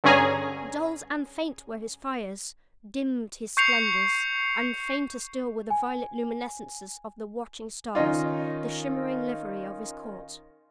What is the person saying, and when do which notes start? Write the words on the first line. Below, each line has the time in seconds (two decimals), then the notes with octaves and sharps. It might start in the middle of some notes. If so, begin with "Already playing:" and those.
Dulled and faint were his fires, dimmed his splendors; and fainter still were the violet luminescences of the watching Stars, the shimmering livery of his court.
0.04 G2 D3 C#4 G#4 G#5 A#5
3.57 C#6 G6 C7 C#7 F7
5.70 G#5
7.95 D#3 C#4 D#4 F4